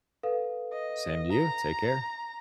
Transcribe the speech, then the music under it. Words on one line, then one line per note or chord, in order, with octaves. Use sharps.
Same to you, take care.
A4 B4 F5
D#5
A#5